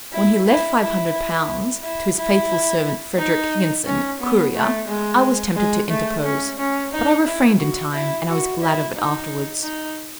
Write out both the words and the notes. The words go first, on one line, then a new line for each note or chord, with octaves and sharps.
When he left Five Hundred Pounds to his faithful servant Frederic Higginson, courier, I was tempted to interpose; but I refrained in time, and I was glad of it afterwards.
E4
E4
E4
E4
E4
D#4
C#4
B3
A3
G#3
G#3
A3
C#4
C#4
D#4
E4
F#4
E4
F#4
E4
D#4
D#4